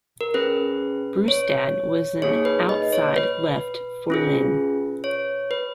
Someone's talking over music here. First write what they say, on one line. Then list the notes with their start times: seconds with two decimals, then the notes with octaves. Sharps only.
Brustad was an outside-left for Lyn.
0.21 A#4
0.34 C#4 G#4 B4
1.28 C#5
2.22 A#3 D#4 G#4 C#5
2.45 B4
2.69 D#5
2.93 C#5
3.16 B4
4.10 C#4 F4 G#4
5.04 C#5
5.51 B4